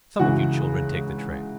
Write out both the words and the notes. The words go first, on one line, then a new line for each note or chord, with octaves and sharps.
Some of you children take the trick.
C#2 C#3 E3 F#4